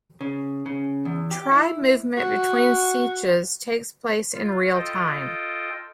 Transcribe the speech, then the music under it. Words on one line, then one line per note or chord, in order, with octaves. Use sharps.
Tribe movement between sietches takes place in real-time.
C#3
C#3
E2
G4
E4
F#4
F4
F4 A4 D#5 G5